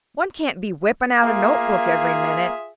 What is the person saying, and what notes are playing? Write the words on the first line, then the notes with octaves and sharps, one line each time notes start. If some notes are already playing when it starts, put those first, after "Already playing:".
One can't be whipping out a note-book every minute.
A#3 F4 G#4 E5